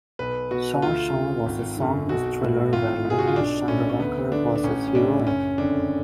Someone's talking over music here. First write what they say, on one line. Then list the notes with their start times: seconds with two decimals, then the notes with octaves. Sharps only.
'Chor Chor' was a song-less thriller where Leena Chandavarkar was his heroine.
0.19 B1 B4
0.51 B2 F#4
0.82 D2 F4
1.15 C#3
1.46 G#1
1.77 F#2 D3
2.09 B1 F#4
2.41 A2
2.73 G#1 F4
3.05 G#2
3.10 G#4
3.19 F#4
3.27 F4
3.36 B1 D4
3.68 A2 C#4
3.90 C#4
4.00 D2 B3
4.32 D3 D4
4.56 D4
4.64 A1 C#4
4.88 C#4
4.95 A2 D4
5.26 F#1 C#4
5.58 F2 D3 D4